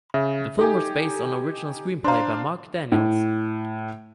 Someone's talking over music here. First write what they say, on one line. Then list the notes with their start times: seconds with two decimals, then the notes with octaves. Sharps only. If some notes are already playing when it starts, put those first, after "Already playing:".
The film was based on an original screenplay by Mark Daniels.
0.14 C#3 E5
0.59 D#4 G4 A4 G#5
2.04 D4 C5 F5 A#5 C6
2.92 A2